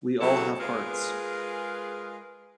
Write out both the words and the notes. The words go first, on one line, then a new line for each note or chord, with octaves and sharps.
We all have hearts.
C#3 F#3 B3 E4 G4 A4
G#3 F4 G#4 A#4 B4